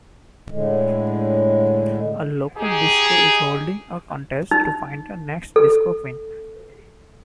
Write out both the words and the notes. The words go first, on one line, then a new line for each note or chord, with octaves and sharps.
A local disco is holding a contest to find the next Disco Queen.
A2 D3 G#3
D#4 G4 G#4
D#4
A4